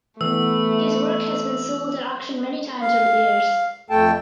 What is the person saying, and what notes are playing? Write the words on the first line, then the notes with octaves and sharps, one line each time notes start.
His work has been sold at auction many times over the years.
E3 A3 B3 E6
F5
F2 A3 A4 G5 A5